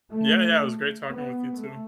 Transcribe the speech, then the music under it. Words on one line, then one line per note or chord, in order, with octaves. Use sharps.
Yeah, yeah. It was great talking with you, too.
A3
B3
A3